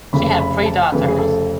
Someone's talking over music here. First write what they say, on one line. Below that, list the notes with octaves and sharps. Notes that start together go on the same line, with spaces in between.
She had three daughters.
F1 F2 C#3 B5
B5
A5
F1 F2 C#3 B4
G#4
A4